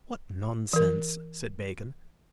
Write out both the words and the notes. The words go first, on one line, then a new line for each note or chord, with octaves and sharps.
"What nonsense," said Bacon.
E3 A#4